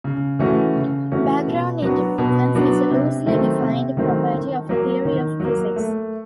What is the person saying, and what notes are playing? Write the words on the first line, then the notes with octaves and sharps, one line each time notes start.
Background-independence is a loosely defined property of a theory of physics.
C#3
E3 A3 C#4 F#4
C#3
E3 A3 C#4 F#4
B2
F#3 B3 D4 F#4
B2
F#3 B3 D4 F#4
C3
D#3 F#3 A3 C4
C3
D#3 F#3 A3 C4
D#3
F#3 A#3
D#3
F#3 A#3
A3